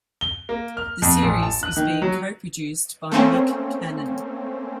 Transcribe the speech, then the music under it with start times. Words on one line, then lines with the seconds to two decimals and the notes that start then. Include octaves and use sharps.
The series is being co-produced by Nick Cannon.
0.21 G7
0.49 A#3
0.77 F6
1.02 F2
1.23 A1
1.43 A5
1.63 F#6
1.77 D#3
2.02 F#3
3.12 A3 A#3 C4 C#4